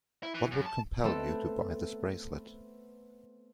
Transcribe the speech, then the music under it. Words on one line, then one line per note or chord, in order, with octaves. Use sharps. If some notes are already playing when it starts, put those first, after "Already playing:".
What would compel you to buy this bracelet?
E4
E3
F#2
A5
A3 B3 C4 A4